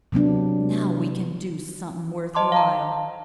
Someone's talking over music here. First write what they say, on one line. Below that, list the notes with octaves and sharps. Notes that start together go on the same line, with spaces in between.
"Now we can do somethin' worthwhile."
C3 F#3 B3 D4
C5 D#5 A5 C6 D6
F5 A5 A#5